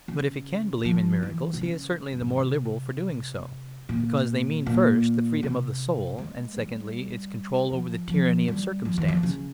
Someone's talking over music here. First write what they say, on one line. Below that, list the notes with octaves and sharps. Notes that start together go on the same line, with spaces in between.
But if he can believe in miracles, he is certainly the more liberal for doing so; because they mean first, the freedom of the soul, and secondly, its control over the tyranny of circumstance.
C#3
F3
E3
C3
C#3
G2
G#2
A#2
C3
A#2
A#2
C3
G#3
G3
F3
F3
G3
F3
E3
F3
C#3